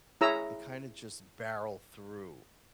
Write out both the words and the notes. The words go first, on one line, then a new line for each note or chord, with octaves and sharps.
they kinda just barrel through-
E4 G#4 C#5 A#5 E6